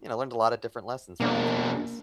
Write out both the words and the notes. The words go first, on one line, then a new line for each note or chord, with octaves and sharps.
you know, learned a lotta different lessons from these movies.
B2 A#3 D4